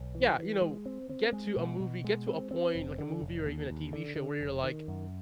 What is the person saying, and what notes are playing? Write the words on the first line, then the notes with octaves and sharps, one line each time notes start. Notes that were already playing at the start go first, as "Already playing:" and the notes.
Yeah. You know, get to a movie get to a point like a movie or even a TV show where you're like,
Already playing: B1
E3
E3
G#3
C4
C4
G#3
B2
B2
G#3
C4
C4
F1
D3
F1
D#2
D#2
D3
D3
F1
D#3
F#2